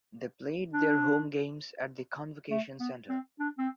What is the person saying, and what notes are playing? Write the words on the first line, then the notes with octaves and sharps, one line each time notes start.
They played their home games at the Convocation Center.
D4
A3
B3
C4
D4
C4